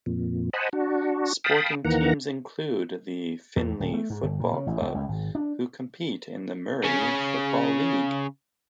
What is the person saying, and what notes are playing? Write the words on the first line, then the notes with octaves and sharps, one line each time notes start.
Sporting teams include the Finley Football Club, who compete in the Murray Football League.
F2 A#2
C5 D#5 F#5 G#5 A5 B5
D4 F#4
F5 G5 A5 B5 D#6
D#2 D#3 E3 A#3 F#5 A#5
E2
D1
A3
G#2
G1
A#2
C#3
A1
C#2
C#2
G#1
D4
C#3 C#4